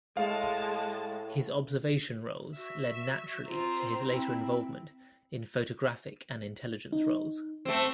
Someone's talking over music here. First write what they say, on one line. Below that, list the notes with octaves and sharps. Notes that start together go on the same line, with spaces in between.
His observation roles led naturally to his later involvement in photographic and intelligence roles.
A2 G#3 F5 A5
F#4 E5
C4 F4 A#5
C4 E4
D#4
A3 C4